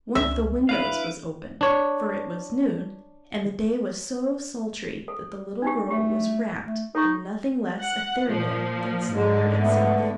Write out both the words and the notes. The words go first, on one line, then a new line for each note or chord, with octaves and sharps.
One of the windows was open, for it was noon, and the day was so sultry that the little girl was wrapped in nothing less ethereal than slumber itself.
C#2 E5
D4 E4 B4 F5
D4 C#5
A4
D4 D#4 G4
A3 G4
A3
D#4 A4 C#6
F#5
A#2 F3
G#2 D3 G#3
A3 B3